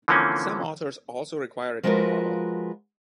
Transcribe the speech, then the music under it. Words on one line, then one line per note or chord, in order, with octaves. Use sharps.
Some authors also require it to be normal.
D3 E3 F3 A#3 C4 C#4
F3 G#3 F4 F#4 A#4 B4